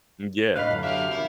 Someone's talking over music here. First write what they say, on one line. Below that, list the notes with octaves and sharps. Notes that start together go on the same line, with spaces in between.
Mm yeah.
A2 D4 B4 D#5 F5 B5
F#2 D3 F#3
D4 G4 E5 F5
C3 D#3 E4